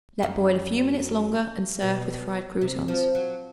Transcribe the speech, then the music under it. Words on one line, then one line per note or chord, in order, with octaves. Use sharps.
Let boil a few minutes longer and serve with fried croutons.
F#2
B2
C3
F3
F#3